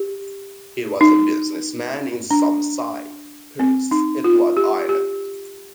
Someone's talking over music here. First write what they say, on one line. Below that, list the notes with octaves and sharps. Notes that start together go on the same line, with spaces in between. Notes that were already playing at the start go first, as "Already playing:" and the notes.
He was a businessman in Summerside, Prince Edward Island.
Already playing: G4
D#4
D4
C4
D#4
F4
G4
G4